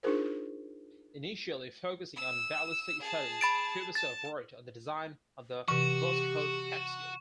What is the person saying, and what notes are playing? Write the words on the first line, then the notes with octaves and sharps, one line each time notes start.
Initially focusing on ballistic studies, Kubasov worked on the design of the Voskhod capsule.
D4 D#4 F4 G#4 A#4 C5
E6
G#4 A5
B5 A6 D7
A5 A6
C3 E3 F#4 G4 C#6